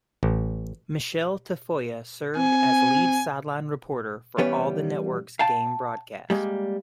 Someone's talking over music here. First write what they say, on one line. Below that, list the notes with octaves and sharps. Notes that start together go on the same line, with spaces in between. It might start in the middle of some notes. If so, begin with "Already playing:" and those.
Michele Tafoya served as lead sideline reporter for all of the network's game broadcasts.
A1
C4 G#5
E3 G3 B3 C#4 B4 C#5
F5 G5 A5
G3 G#3 A#3